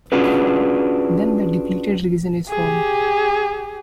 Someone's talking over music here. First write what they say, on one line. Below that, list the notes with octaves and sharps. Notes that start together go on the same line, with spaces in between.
Then the depleted region is formed.
C#4 D4 F4 F#4 G#4 B4
G4 G#4